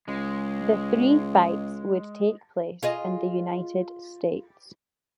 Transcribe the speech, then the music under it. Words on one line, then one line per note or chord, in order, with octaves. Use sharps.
The three fights would take place in the United States.
C#2 G#3
F4 G#4 D#5